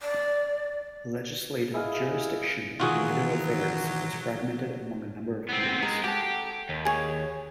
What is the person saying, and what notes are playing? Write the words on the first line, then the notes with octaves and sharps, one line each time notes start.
Legislative jurisdiction over Native affairs was fragmented among a number of committees.
D5
E4 G#4 D#5 F5
B2 D#3 E3 F#3 F4 F#4 G#4
B3 C4
G#3 A#4
F#4 G4 A4
D#2
G#4 C#5